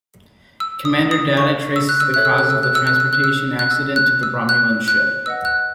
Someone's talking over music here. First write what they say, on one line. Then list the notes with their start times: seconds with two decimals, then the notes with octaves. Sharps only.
Commander Data traces the cause of the transportation accident to the Romulan ship.
0.60 E6
0.85 D#6
1.11 D#6
1.37 C#6
1.76 E6
1.89 F#6
2.00 E6
2.14 A4 C#5 E5 F#6
2.25 E6
2.38 F#6
2.50 E6
2.63 F#6
2.75 E6
2.87 F#6
3.00 E6
3.13 F#6
3.24 E6
3.59 F#6
3.71 E6
3.96 F#6
4.23 E6
4.49 F#6
4.88 F#6
5.26 B4 D#5 F#5 E6
5.45 F#6